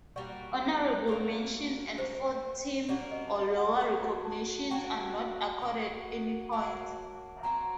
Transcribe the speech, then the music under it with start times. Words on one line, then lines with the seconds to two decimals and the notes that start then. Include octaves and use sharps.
Honorable mention and fourth team or lower recognitions are not accorded any points.
0.16 G3 A#3 F#4 D5
1.08 G3 A#3 F#4
1.98 G3 A#3 F#4 C5
2.88 G3 A#3 F#4 D5
3.11 D#5
3.34 D#5
3.57 F#5
3.80 F#3 A#3 F#4 F#5
4.25 A5
4.71 F#3 A#3 F#4 G5
5.62 F#3 A#3 F#4
6.52 F#3 A#3 F#4 A5
7.43 F#3 C4 F#4 A#5